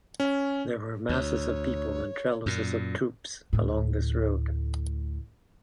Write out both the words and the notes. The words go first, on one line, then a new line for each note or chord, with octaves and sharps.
There were masses of people and trellises of troops along this road.
C#4
D2 C#5
F#2 A#2
D2 A2